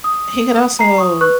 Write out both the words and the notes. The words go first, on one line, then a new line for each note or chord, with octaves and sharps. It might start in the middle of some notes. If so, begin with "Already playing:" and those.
he could also
D#6
A#5 C7
C#6 D#6
B4 C#6 F#6